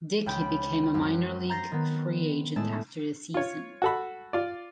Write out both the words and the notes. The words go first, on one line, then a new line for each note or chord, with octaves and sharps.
Dickey became a minor league free agent after the season.
C#2 C#3 G5 B5 G6 D7
F#2 C4
A#5 C6 G6 A6 A#6 C7
D#3 B3
A2 G#3 A3 A5
F4 C#5
F#4 A4 B5
F4 D5